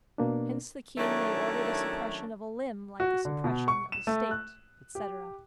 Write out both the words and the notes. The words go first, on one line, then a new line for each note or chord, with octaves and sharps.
Hence the king may order the suppression of a limb like the suppression of a state, etc.
B2 A#3 D4
D#3 F#3 A3 C#4 D4 E4
F#4
D3
B2
C#6
E7
A3
F#6
G4